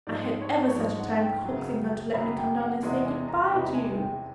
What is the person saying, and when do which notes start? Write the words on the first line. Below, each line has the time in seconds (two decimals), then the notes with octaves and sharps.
I had ever such a time coaxing her to let me come down and say good-bye to you.
0.07 G#2 F3 G#3 D5
0.42 C#5
0.68 C#5
0.76 G#2 F3 G#3 D5
1.00 F#5
1.21 G5
1.45 F#2 C#3 F#3
2.14 F#2 C#3 F#3 B5
2.38 G5
2.60 F#5
2.83 E2 C3 E3 G#3 F#5
3.06 G#5
3.28 A#5
3.45 A#5
3.51 E2 C3 E3 G#3 B5
3.74 G#5
3.97 G5